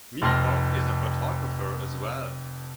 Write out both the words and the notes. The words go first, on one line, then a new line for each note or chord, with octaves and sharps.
Mihok is a photographer as well.
F1 F2 A5 C6 F6 A#6